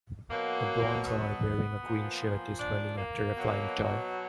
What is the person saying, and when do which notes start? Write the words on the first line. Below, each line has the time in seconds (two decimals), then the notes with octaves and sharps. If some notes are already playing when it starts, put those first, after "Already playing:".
A blond boy wearing a green shirt is running after a flying toy.
0.30 B2 F#3 A#3
1.06 B3
1.83 A#2 F3
2.59 D4
2.97 A#3
3.35 B2 F#3